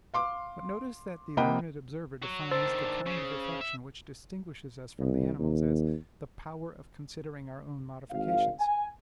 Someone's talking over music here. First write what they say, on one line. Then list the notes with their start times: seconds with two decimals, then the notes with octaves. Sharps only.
But notice that the learned observer defines the kind of reflection which distinguishes us from the animals as the POWER OF CONSIDERING OUR OWN MODIFICATIONS.
0.14 F5 C6 D6
1.37 C3 A#3 D#5 F#5 G5 B5
2.22 F#3 F#4
2.51 D#3 D4 C5 E6 A6
3.06 C#3
3.61 E5
4.98 C2
5.39 D#2
8.11 G#1 F5
8.60 G#5